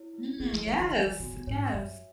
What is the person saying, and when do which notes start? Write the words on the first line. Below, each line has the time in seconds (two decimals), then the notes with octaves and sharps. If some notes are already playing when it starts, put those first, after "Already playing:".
Mm, yes, yes.
Already playing: E4 C#5
0.13 E4
0.39 A3 G#4
0.52 F#3
0.66 E3 C#5
0.80 D#3
0.93 E3 G#5
1.06 D#3
1.20 B2 F#4
1.33 B2
1.47 G#2 C#5
1.73 F#2 E5